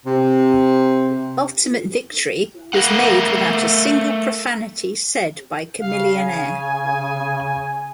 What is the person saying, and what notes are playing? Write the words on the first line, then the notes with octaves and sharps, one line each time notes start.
"Ultimate Victory" was made without a single profanity said by Chamillionaire.
C3
A3 A#4 F5 F#5
C#3 F5
G#5